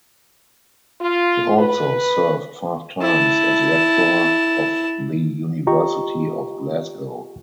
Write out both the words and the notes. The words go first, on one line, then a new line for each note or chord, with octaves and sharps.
He also served five times as Rector of the University of Glasgow.
F4
B4
E4 A5
F4 G4 D#5 G5 A#5 C#6